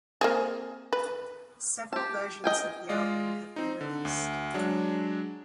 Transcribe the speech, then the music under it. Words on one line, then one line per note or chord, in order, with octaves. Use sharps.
Several versions of the album have been released.
A#3 C4 G#4
B4
G4 A5
D#5 G5 G#5
G#3 F4 D5 D#5
C4 D#4
D3
D2
F#3 G#3 D4